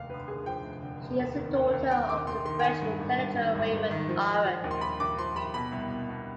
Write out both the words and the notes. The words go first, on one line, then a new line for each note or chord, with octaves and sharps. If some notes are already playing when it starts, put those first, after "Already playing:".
She is the daughter of the French intellectual Raymond Aron.
Already playing: F1 D#2 F5
D3 B4
D#2 G#4
F3 G5
F1
D3
F1
D#2
D#3
D#2
D#2
D#2 G5
D#3 D6
D#2 C6
D#3 C6
G5
D#3 G#5
G2
G#1
G2
D#3
G#1
G#1
D#3
F3
F3
F3
D#2
C6
D#2 B5
D#2 D6
F3 C6
D#2 B5
B2 B5
C2
B2
B2